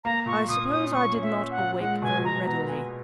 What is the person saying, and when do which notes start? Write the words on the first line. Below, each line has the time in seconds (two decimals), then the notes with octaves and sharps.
I suppose I did not awake very readily.
0.04 A#3 A#5
0.26 A#2 C#6
0.48 A#2 D#6
0.70 C#4 D#6
0.92 A#2 C#6
1.14 C#4
1.22 E5
1.36 C#4
1.51 F#5
1.58 A#2
1.80 G#3 F#5
2.02 B2 G#5
2.24 B2 A#5
2.46 B3 A#5
2.68 B3 G#5